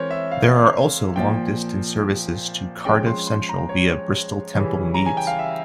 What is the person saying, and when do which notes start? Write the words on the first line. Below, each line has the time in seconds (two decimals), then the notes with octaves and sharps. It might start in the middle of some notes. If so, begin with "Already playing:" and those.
There are also long-distance services to Cardiff Central via Bristol Temple Meads.
Already playing: E3 G#3 C4 A#4 C5 C#5
0.11 E5
0.32 F5
1.16 A#2 F3 A#3 G5
2.85 F3 G#3 C#4 G5
3.06 C6
3.27 C6
3.49 A#5
3.69 C#5
4.54 C#3 E3 G3 C#4
4.94 A#5
5.06 G#5
5.17 G5
5.27 F5
5.39 E5